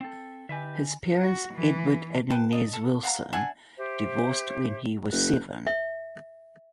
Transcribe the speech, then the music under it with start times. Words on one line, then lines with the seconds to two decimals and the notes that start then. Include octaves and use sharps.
His parents, Edward and Inez Wilson, divorced when he was seven.
0.01 C4 A4
0.49 D3 G4 B4 E5 G#5
1.22 F#4
1.54 E3
2.30 B4 G5 A5
2.52 D4 D#5
2.73 A4
3.03 F5 F#5 A5 A#5
3.33 D4 E5 F#5 G#5
3.77 G4 C5 E5
5.12 F#1 F#6 G6
5.67 E5